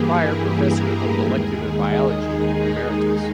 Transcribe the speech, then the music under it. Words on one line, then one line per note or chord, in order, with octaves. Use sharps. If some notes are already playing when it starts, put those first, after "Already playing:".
Prior Professor of Molecular Biology, Emeritus.
Already playing: G2 E3 A#3 E4 G4 G#4
G4
A#4
D#2 D#3 G#3 G#4
D#4
D#4